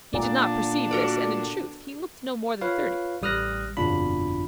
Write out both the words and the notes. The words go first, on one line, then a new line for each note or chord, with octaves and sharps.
He did not perceive this, and in truth he looked no more than thirty.
A#2 D3 B3 D4 D5
F#4 A4 A#4
F4 B4 C#5 F5
A1 G3 D#6 F6 F#6 A#6
G1 F2 B2 D4 F4 B5